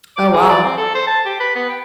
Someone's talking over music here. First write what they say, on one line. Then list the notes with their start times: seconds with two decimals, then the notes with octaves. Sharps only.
Oh wow.
0.17 D6
0.33 G#4
0.50 D5
0.63 C4
0.77 A4
0.95 C5
1.07 A5
1.26 G4
1.40 B4
1.55 B3
1.69 G5